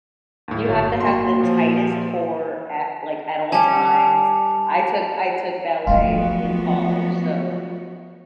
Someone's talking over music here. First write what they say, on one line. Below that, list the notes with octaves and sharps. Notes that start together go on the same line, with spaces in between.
You have to have the tightest core at, like, at all times. I took I took ballet in college. So,
D#2 A2
G1 F#4 C#5
A#3 F#4 C6
A#2 F3
G3 C#4 G#5 A5 F7
F3 F#3 A3 B3 F4 F#4